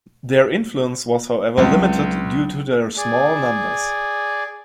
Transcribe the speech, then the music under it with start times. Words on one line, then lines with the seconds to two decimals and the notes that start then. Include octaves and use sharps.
Their influence was however limited due to their small numbers.
1.58 C#2 F#3 C4
2.97 G#4 D5